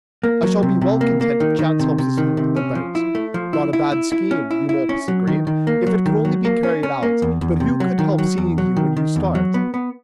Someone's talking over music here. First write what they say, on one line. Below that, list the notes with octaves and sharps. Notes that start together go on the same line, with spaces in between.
I shall be well content if chance helps us into the boat." "Not a bad scheme," Eumolpus agreed, "if it could only be carried out: but who could help seeing you when you start?
A#3
F#3
C3
C3
A#3
A#3
D#3
D#3
C3
C3
D#3
C3
C#4
F3
E4
A3
F3
E4
E4
E4
E4
C#4
E4
E4
C#4
F#3
D#3
D#3
A#3
F#3
D#3
F#3
A#3
C#4
C#4
A#3
E2
E2
C3
F#3
D#3
F#3
E2
F#3
D#3
D#3
E2
F#3
B3
B3